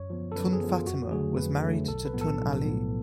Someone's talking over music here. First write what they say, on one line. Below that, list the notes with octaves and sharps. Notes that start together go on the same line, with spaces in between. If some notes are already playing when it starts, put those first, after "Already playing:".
Tun Fatimah was married to Tun Ali.
Already playing: F#2 C#5
F3 B3
A4
F#2 B4
G#4
F3 B3
F4
F2 F#4
D3 F#3 A3 G#4
F2 B4
D3 F#3 A3
B1 A4
B4
A2 F3 B3
A4
B1
A2 F3 B3